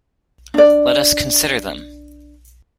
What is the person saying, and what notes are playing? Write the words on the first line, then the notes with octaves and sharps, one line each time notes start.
Let us consider them!
D4 D5